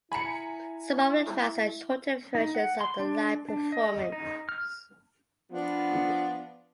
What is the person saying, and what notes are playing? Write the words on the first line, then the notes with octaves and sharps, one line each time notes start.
Some of the tracks are shortened versions of the live performances.
E4 G#5 A#5 B5 C#7
D#4
F#5
C6
D4
D4
D#5
D#4
F6
F3 B3 D4